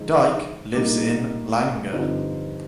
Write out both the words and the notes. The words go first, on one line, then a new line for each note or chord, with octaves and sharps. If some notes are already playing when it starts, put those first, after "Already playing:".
Dike lives in Langa.
Already playing: D3 F3 G#3 D#4
A#2 G3 A#3 D#4 D6
G2 D3 F3 C4 D#4